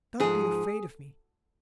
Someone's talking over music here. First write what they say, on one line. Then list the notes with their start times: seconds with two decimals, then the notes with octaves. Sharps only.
Don't be afraid of me.
0.20 G#2 F3 G#4